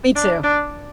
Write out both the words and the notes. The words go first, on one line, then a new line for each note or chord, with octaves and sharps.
Me, too.
D4
D4